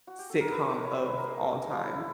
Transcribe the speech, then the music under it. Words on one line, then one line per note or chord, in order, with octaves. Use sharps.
sitcom of all time.
F#4
G4
A4
A#4
B4
A#4
B4
C#5
C5
B4
A#4
G#4
F4
E4
E4